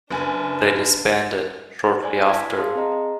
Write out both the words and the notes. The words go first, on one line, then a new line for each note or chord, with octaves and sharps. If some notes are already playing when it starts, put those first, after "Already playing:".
They disbanded shortly after.
F#1 D4 B4 G#5
C5 D5 G#5
E4 G#6 B6
G#4 C5 F5 A5 C6 D#6
C4 G#4 D#5 A#5
D#5